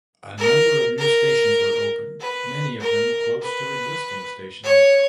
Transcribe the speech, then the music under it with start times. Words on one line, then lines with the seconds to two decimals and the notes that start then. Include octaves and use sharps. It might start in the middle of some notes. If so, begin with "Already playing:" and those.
A number of new stations were opened, many of them close to existing stations.
0.38 A#4
0.99 A#4
2.21 B4
2.81 A#4
3.42 B4
4.64 C#5